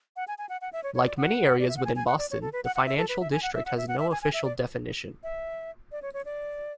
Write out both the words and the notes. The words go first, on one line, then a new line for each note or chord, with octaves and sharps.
Like many areas within Boston, the Financial District has no official definition.
F#5
G#5
G#5
F#5
F#5
E5
C#5
C#5
D5
F#5
D5
E5
F#5
G#5
G#5
F#5
D5
C#5
A4
B4
F#5
F#5
E5
A4
B4
E5
G#5
F#5
E5
F#5
E5
F#5
E5
G#5
G#5
E5
D5
E5
D5
C#5
C#5
D5